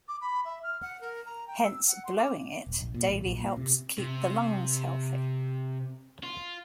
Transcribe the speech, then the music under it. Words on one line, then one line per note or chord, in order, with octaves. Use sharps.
Hence, blowing it daily helps keep the lungs healthy.
D6
B5
E5
F6
F#5
A#4
A#5
G5
E6
F#5
C6
D6
D#1
A#1
A#2
A1
A#1
A#2
C3
C3
F4